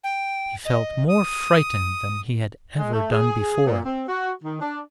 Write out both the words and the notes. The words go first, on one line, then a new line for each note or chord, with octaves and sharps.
He felt more frightened than he had ever done before.
G5
D#5
D#6
G#3
A3
G#4
A#2
C4
F#4
D#3
D4